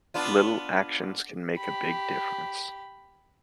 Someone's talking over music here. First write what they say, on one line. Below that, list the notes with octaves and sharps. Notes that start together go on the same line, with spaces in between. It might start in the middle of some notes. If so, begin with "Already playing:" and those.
Little actions can make a big difference.
B3 D4 F4
G4 B5